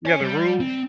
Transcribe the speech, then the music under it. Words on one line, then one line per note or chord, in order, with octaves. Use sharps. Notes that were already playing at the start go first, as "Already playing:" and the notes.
Yeah, the rules.
C#5 G#5
G3
C4